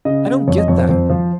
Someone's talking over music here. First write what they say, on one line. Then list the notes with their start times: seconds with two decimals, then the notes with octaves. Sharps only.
"I don't get that."
0.05 C#3 D#5
0.26 C#3
0.47 F2 C#5
0.58 D#5
0.68 F2 C#5
0.78 C5
0.89 F2 C5
1.10 F3